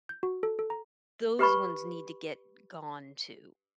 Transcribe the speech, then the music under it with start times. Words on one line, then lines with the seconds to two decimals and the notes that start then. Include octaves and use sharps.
Those ones need to get gone, too.
0.09 G6
0.23 F#4
0.43 A4
0.59 A4
0.70 A#5
1.39 G4 B4 B5 C#6